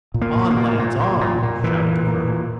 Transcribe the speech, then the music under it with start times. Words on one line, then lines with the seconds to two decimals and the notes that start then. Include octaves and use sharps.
"On, lads, on!" shouted the colonel.
0.14 A#2
0.22 A#3
0.36 A#2
0.50 A#3
0.57 A#2
0.79 A#2
1.00 A#2
1.21 A#2
1.43 A#2
1.64 A#2 E3
1.85 A#2
2.06 A#2
2.28 A#2